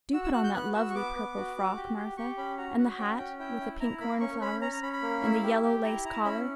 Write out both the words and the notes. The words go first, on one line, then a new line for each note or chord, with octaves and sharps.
Do put on that lovely purple frock, Martha, and the hat with the pink cornflowers, and the yellow-lace collar.
F#4 E6
E6
F#4 F#6
G6
B3 F#6
F#4 E6
C#6
B3 D6
B3
F#4
F#4
G4
G4
G4 C#6
C#4 B5
F#4 A#5
F#4 F#5
C#4 G5
C#4 G5
E4 G5
E4
E4 A#5
A#3 B5
C#4 C#6
C#4 B5
C#4 A#5
A#5
C#4 B5
B5
A#3
E4
G4
G4
E4 A#5
E4 A#5
C#4 B5